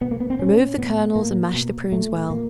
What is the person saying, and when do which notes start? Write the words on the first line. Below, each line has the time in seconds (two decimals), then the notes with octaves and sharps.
Remove the kernels and mash the prunes well.
0.01 B2 B3
0.11 A#3
0.20 B3
0.30 C4
0.39 A#2 C#4
0.77 A2 B3
1.16 A2 A#3
1.54 B2
1.92 A#2 A3
2.30 A#2 A#3